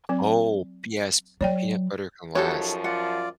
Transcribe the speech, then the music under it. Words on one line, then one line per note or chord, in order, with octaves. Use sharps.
Oh, p yes, peanut butter can last.
F#3 C4
F#3 C#5 D5 G5
F#2 F3 D#4 F#4 G4 A4 C#5
F4 D5 F#5